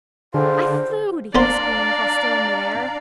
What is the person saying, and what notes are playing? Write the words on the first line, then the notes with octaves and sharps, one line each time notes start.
"I flewed!" he screamed while still in mid-air.
D3 F4 G#4 A4 C5 G5
A#3 B3 D4 C5 D5 F5 A#5